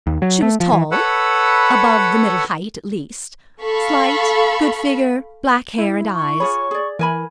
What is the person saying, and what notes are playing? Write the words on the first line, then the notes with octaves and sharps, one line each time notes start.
"She was tall, above the middle height, at least; slight, good figure, black hair and eyes."
D#2
F#3
A3
F3
E3
A4 B4 C#5 F#5 B5 E6
A4 F5 B5 C#6
E4
C#6
F4 G#4 C#5 B5
G#4 D5
E3 A#4 G#5 B5